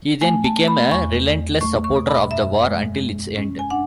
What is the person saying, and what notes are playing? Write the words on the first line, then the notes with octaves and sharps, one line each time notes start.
He then became a relentless supporter of the war until its end.
A3 G#5
A5
A3
B5
E2 C#6
E2
A3 C#6
C#6
B2
B5
F#2 E5
G#3
G#3
C#4
G#5
D4 F#5